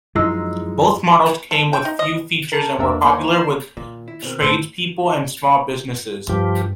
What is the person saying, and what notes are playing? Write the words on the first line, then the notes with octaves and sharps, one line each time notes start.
Both models came with few features and were popular with tradespeople and small businesses.
F#2 F3 G#3 D#4 E4 E6
A4
G5
D#4
D#5
A#4 A5 C#7
E2 G#2 A#3 D4 A#4 E5
A#3 D#4 A#4 C5 F#5 G#5
C7 E7
A#2 D#3
E4
B2 C4 A#4
A2 D#3 B4 C5 A5 E6
G2 F3 G4